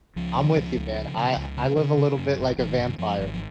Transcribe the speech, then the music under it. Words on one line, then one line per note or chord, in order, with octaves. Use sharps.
I'm with you, man, I I live a little bit like a vampire.
C#2 F3
C#3
C#2
C#2
C#3
C#3
C#2
C#3
C#3
C#3
F#2
G#1
G#1 F3
D#3
F#2
D#3
F#2 F3
G#1
F3